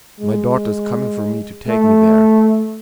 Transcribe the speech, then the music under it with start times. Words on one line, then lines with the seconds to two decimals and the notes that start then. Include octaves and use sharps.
"My daughter is coming for me to take me there."
0.20 G#3
1.68 A3